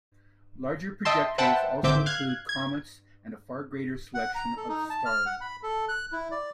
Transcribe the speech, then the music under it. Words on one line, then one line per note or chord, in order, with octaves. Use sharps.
Larger projectors also include comets and a far greater selection of stars.
D#5 E5 G5 A5 C6
B4 C5 E5 F#5 G5 A5
A1 D3 C4 E5 D6 G6
F5 F#6 G#6
G#6
F#5
A#5
A4
D#4
A5
F6
F#5
B5
A4
F#6
E4
D5